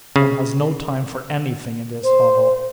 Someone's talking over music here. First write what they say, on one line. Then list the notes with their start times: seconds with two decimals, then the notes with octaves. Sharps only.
"One has no time for anything in this hovel!"
0.16 C#3
2.03 C5